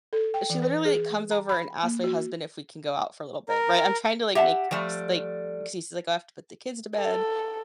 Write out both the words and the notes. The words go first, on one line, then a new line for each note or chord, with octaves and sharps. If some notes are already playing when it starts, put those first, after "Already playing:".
she literally comes over and asks my husband if we can go out for a little bit. Right? I'm trying to, like, make s like excuses, like, "Oh, I have to put the kids to bed,"
A4
G5
E3
B4
G#4
A#5
B5
A#3
F#4
A#4
G4 E5 F#5 A5
F3 G3 A3
A4